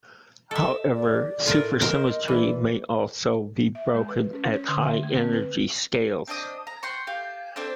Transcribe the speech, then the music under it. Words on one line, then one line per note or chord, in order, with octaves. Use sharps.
However, supersymmetry may also be broken at high energy scales.
A4 D#5 E5
D5
A2 F4 A#4
A#4 C5 D#5
E3 D5
E5
G#3
B4
C#4
C#5
D3
E5
A3
C4
B4
C4 D4 D#5 D#6
A#5
F#5 G5 C6 C#6
G4 F5 G5
C4 D4 A4 C5